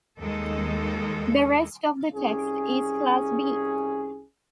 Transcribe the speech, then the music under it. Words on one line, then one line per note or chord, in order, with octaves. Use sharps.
The rest of the text is Class B.
D#2 G#3 D#4 A4
C2 C#4 G#4